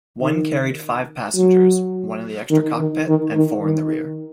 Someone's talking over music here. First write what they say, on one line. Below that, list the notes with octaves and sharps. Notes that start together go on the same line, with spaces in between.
One carried five passengers, one in the extra cockpit and four in the rear.
D#3
F#3
D#3
D#3
D#3
D#3
D#3